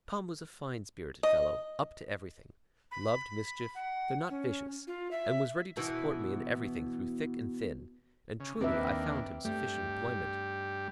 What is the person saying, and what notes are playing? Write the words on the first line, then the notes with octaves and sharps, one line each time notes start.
Tom was a fine spirited fellow, up to everything; loved mischief, though not vicious; and was ready to support me in everything through thick and thin; and truly I found him sufficient employment.
D#5
B5
F#5
C#4
F4
E5
B2 E3
C#3
D#2 A#3 C4 D4 B4 E5
G2 G3 A3